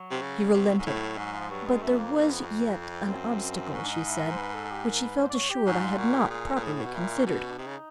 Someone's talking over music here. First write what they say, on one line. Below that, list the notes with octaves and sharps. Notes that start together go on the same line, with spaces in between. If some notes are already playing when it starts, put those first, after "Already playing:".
She relented; but there was yet an obstacle, she said, which she felt assured I had not properly considered.
Already playing: F#3
C3
C#3
C3
G#2
A2
G#2 F#3
F3
G2 F#3
G#3
F#2 A3
F2 A#3
E2
A#3
F2 B3
C4
F#2
G#2 C#4
D4
D#4
E4
A#4
C5
B4
A4
G4
A#4
B4
C5
D5
C#5
G4
G#2 F#4
F4
A#2 F#4
G4
A#2 G#4
A4
A#2
A2 G#4
F#4
B2
A#2 E4
C#4
B2 D4
C#4
D4
C3 D#4
C#3